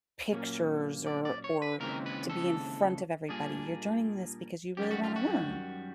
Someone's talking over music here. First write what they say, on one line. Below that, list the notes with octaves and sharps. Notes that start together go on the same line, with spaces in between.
pictures or or to be in front of everybody, you're doing this because you really wanna learn,"
A#2 F#3 A#3 C#4
D5
D5
C#5
B4
D#2 C#3 E3 G#3 C4 A#4
B4
A4
A#2 G3 A#3 D4 G#4
F#2 D#3 G3 G4
F#4
F4
F#4